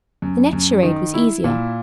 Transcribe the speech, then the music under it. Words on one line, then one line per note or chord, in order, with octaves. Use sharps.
The next charade was easier.
F#2
F#2
D#3
E4
A#2